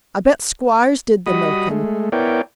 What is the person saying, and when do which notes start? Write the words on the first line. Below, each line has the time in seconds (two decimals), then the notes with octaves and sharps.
I bet squires did the milkin'.
1.26 G3 F#4 D#5 B5 D#6
1.70 G#3 A3
2.12 B3 E4 A#4 C#5 D5 G5